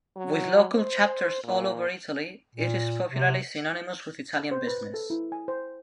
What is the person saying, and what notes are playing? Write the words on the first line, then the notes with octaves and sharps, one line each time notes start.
With local chapters all over Italy, it is popularly synonymous with Italian business.
F#3
C5
A#2
A#2
C3
C5
B4
A4
E4
G#5
C5